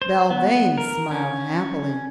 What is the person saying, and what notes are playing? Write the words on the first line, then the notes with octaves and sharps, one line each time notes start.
Belvane smiled happily.
C5
B3
A#4
C#4